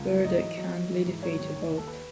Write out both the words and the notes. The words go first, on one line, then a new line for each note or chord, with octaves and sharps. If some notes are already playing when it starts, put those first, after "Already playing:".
Burdick handily defeated both.
Already playing: C#2
F#3
G#2 D#5
E3
F#3
F#3
E3
G#2
F#3 C#5
D#3
D#2
D#2
A4
B4